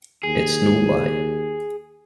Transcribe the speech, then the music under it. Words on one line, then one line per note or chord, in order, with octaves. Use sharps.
It's no lie.
D#2 G#4